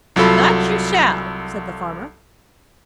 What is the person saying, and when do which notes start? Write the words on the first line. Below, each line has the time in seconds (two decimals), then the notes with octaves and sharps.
'That you shall,' said the farmer.
0.16 C2 F#3 F4 A4 B5